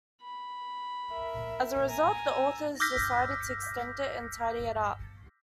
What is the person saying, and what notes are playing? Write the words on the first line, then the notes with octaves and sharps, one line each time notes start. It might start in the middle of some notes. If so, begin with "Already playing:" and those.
As a result, the authors decided to extend it and tidy it up.
B5
A#4 E5
G#5 A#5
E6
D6 E6 F6 G6 A#6 B6